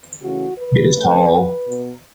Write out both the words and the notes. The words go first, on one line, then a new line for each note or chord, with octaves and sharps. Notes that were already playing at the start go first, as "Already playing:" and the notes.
It is tall.
C#3 E3 A3 C#4 F#4
B4
C#3 A3 C#4
B2 B3